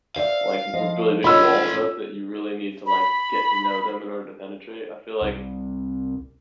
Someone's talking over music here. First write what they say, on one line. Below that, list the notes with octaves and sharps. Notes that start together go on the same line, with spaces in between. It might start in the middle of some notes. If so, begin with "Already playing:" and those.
like re really big walls up that you really need to, like, get to know them in order to penetrate. I feel like,
C5 D5 E5 F5
F3 D#5
A3 C#4 F4 C#5 D#5 B5 E6
B5
C2